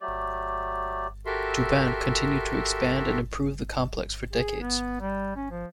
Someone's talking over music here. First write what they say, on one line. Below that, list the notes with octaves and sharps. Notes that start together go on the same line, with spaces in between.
Duban continued to expand and improve the complex for decades.
F#3 A3 G4 D5
F#4 G4 A4 A#4 E5 C6
G#4
B3
G3
C#4
F3